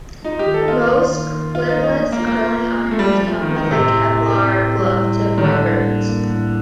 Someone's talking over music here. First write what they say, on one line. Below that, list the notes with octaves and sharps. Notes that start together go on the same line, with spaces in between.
Most clipless curling irons come with a Kevlar glove to avoid burns.
D#4 F4
G4
D#3
A4
D#4
A#3 F4
A#3
D#3
D#3
D#3 F4
D#4
A#3
D#4
A3
A#3
F4
A#3
F4
F4
C4
A3
G3
F4
F3
F3 A3
D#3
C4
D#3
A2 C3
A2
A2
C4
C4
G3
A2
A2
D#3
A2 D3
G3
A#3
A#3
A2